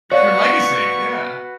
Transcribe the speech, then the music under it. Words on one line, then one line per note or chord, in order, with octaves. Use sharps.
It's her legacy, yeah.
F#4 B4 C#5 D5 F5 F#5 C#6